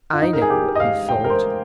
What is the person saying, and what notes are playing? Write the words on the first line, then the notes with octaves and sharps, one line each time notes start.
"I know what you thought."
F4
D#4
A#4
G#4
G4
D#5
F5
G5
A#4
C5